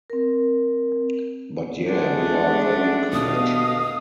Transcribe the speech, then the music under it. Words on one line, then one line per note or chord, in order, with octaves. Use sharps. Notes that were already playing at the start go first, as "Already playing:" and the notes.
But, yeah, we are very conventional.
C4 A#4
G#3 A3 D4 F#5
B2 B3 D#5 F5 D#6